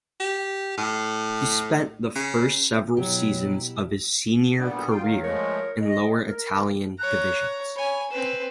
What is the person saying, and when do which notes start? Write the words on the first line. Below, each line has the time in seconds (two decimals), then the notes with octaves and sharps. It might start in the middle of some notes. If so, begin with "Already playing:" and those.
He spent the first several seasons of his senior career in lower Italian divisions.
0.20 G4
0.77 A2
2.16 C#3
2.97 B2 F#3 E4 G4
4.60 A#2 G3 B3 D4
4.90 F4 G5
5.03 D#3 F#3 A#4 F5
5.24 F3 G#3 A3 A#4 C#5
5.80 D#5
6.26 A#4
6.99 C#5 A#5 F#6
7.76 C#5 G#5 B5
8.11 C4 B4 E7